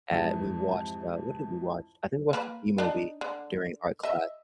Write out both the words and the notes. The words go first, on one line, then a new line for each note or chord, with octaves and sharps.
at we watched, uh- what did we watch? I think we watched the Bee Movie during art class,
F2 G#2 C3 E3
A#3 B4
D4 D#4
D3
D#5 E5